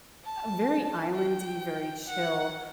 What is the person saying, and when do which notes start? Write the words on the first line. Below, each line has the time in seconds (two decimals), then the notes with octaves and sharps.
uh, very island-y, very chill.
0.25 A5
1.15 G5
2.06 F#5